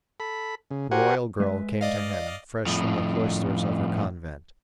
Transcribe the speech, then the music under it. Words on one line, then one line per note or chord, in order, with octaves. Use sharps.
The royal girl came to him fresh from the cloisters of her convent.
A4 B5
C#3
F#4 G4 A#4 C5 F#5 G#5
G#3 B4 E5
D5 D#5 F5
F2 A2